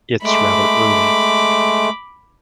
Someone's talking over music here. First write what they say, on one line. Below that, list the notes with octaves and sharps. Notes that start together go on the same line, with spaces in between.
It’s rather early.
G#3 A3 B5 D6